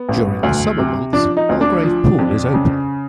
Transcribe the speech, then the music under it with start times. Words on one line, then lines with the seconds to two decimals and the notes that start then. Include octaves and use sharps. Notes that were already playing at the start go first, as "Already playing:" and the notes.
During the summer months Belgrave Pool is open.
Already playing: B3
0.09 A1
0.43 D2
0.78 C3
1.13 F3 D4
1.37 D#4
1.49 D2
1.61 D4
1.83 F3
2.19 F2
2.54 C#3